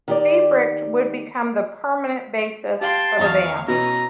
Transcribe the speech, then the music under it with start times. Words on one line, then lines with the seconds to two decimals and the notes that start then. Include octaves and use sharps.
Siebricht would become the permanent bassist for the band.
0.08 D#3 G4 D5
2.81 G4 F5 G5 A5 C6
3.19 E2 C#5 D#5 F5
3.68 B2 E3 C#4 A#5